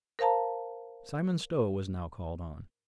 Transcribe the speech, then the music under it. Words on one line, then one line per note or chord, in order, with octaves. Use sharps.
Simon Stow was now called on.
A#4 C5 F5 A5 A#5